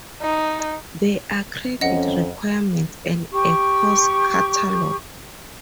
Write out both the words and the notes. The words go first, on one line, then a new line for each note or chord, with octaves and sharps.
There are credit requirements and a course catalog.
D#4
F2 C#4 D#5 F#5
G4 C#6